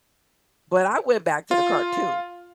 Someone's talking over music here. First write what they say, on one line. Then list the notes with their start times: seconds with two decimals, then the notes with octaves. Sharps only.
but I went back to the cartoon
1.51 F4